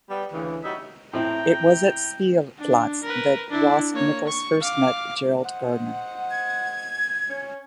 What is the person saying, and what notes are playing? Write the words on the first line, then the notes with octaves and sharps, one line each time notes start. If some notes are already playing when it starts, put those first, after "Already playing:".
It was at Spielplatz that Ross Nichols first met Gerald Gardner.
G3 B3
D2 C#3 E3
G3 C#4 D#4 F#4 E5
A2 C4 E4 G5 A#5
D4
A#4 B4
D4 E4
A#3 C#5
C#6
F5 D6
C5 D#5 F#5
G#6
C#4